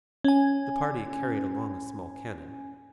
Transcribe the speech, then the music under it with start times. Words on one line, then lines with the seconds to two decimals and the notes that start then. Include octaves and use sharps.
The party carried along a small cannon.
0.24 C#4 G#5